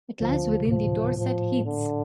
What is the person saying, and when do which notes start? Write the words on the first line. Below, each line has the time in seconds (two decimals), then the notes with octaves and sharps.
It lies within the Dorset Heaths.
0.20 D2 D3 F3
0.60 C3
0.68 A2 F3
1.17 A2 F3
1.65 D3